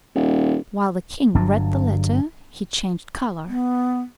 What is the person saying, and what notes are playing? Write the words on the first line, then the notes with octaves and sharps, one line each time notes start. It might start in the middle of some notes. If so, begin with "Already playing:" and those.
While the king read the letter he changed colour.
D#1
G1 G2 F#3 D4
B3